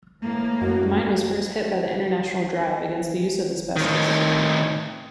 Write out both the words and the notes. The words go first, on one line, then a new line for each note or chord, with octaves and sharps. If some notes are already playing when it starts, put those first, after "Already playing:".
The mine was first hit by the international drive against the use of asbestos.
A2 E3 A#3
F#2 F#4
A2 D#3